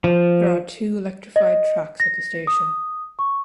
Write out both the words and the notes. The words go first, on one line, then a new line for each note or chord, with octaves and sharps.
There are two electrified tracks at the station.
F3
D#5
A#6
D#6
C#6